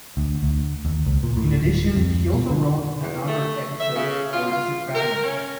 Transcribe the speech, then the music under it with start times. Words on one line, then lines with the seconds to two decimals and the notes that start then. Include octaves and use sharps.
In addition, he also wrote a number of episodes for "The Sopranos".
0.17 D2
0.43 D2
0.85 D#2
1.06 C#2
1.23 A#2
1.37 A2
1.52 D1
1.96 F2
2.33 B2
2.51 D3
3.01 E2
3.28 A3
3.80 E5
3.96 C#3
4.34 F4
4.51 F4
4.94 A#4
5.24 C#4